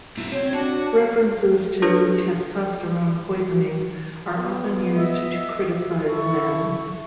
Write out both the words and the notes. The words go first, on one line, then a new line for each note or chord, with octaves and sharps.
References to testosterone poisoning are often used to criticize men.
A#3 E4 F#4
C4 C#5
D4 F#4
D4 F4 G4 A4 B4 C#5
B3
D#5 E5
E4 A4 C#6